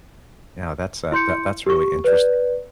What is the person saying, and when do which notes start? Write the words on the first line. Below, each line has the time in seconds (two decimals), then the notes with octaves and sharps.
yeah, that's uh, that that's really interesting.
1.12 E4 C6 G6 C#7
1.66 G4 C#6
2.04 B4 D5